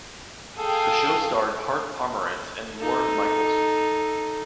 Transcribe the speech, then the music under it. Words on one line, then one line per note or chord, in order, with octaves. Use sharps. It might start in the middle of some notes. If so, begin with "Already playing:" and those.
The show starred Hart Pomerantz and Lorne Michaels.
G#4 A4 F5 G5
D#4 A4